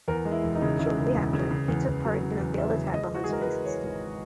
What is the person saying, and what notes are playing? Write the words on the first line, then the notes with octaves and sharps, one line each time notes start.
Shortly after, he took part in a failed attack on those places.
E2 A#4
G#3
E4
E1
D#4
C#3
C#3 E4
C#3
E1
C#3
C#3
E2
E2
F#3
C#3
E2
E2 E5
C#3
G#3 D#5
E3 F#4
G#4
G#3 A#4
B4
G#3
E3 C#5
G#1